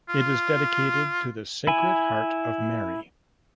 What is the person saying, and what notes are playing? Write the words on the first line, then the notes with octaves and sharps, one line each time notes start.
It is dedicated to the Sacred Heart of Mary.
F4
E4 G#5